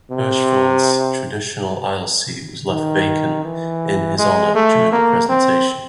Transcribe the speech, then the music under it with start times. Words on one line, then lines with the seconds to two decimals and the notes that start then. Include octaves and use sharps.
Hirschfeld's traditional aisle seat was left vacant in his honor during the presentation.
0.11 C3
2.70 D#3
3.44 E3
4.18 G#3
4.55 A3
4.92 A#3
5.29 C4